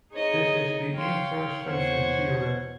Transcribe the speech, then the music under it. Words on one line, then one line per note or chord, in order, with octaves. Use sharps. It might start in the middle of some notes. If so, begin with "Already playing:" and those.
This is the inverse function theorem.
D#4 G#4 C#5 D#5
C#5 F5 G5 C6
E2 C5 C#5 F#5 C#6 G#6